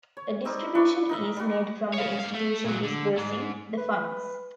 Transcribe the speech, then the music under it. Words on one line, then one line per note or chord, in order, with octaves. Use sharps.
A distribution is made from the institution disbursing the funds.
C#5
G3 C4 D#4 A#4
G3 D4 B4 C#6
D#4 A#4 E5
G3 F#4
C#5 F5
G#2 F5
A3
A#2 F#3
D3
G#2
B4